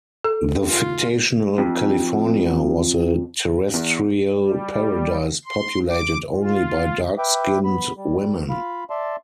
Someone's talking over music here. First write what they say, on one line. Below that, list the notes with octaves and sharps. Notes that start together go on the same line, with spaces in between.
The fictional California was a terrestrial paradise populated only by dark-skinned women.
A4
F4
F2
E2
G3
C6
D6
F4
B4 E5 G5 D6
B3 B5
G3
F4 F5 B5
D5 E5 A5 C6